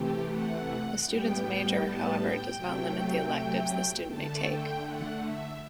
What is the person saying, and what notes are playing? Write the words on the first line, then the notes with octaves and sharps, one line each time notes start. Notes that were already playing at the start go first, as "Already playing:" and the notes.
A student's major, however, does not limit the electives the student may take.
Already playing: C3 E3 A3 G4
F#5
A2 G3 B3 G5
G5
A5
G5
C3 F#3 A3
D3 A3 A5
G5
F#5
E5